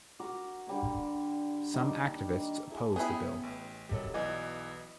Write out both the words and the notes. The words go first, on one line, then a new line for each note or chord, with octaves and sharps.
Some activists oppose the bill.
F#4 A#4 D6
D3 G3 A#3
D#3 A#3 D4
E4 G#4 A4
B3 C#4 E4 G#4 G5
A1
C3 D#3 F#3 G3 A4
B1 E3 D5 D#5 G#5